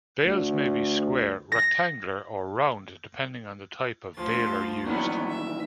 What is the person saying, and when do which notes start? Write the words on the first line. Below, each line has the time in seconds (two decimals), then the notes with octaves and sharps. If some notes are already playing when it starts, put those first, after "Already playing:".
Bales may be square, rectangular, or round, depending on the type of baler used.
0.24 D2
1.52 A#6
4.15 D2 F3 A6
4.86 A#2 D#3 E3 F#3 B3
5.28 E5